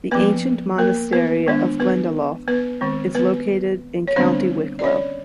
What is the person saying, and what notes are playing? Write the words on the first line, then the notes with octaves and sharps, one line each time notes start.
The ancient monastery of Glendalough is located in County Wicklow.
F3 A#3 B3 C#4 B4
A#3 A#4
B3 B4
D#3 G#3 B3 D4
B3 B4
B3 B4
D#3 G#3 C4
B3 B4
C#5
D3 G3 B3 C4 D4 C5
D5
C#4 C#5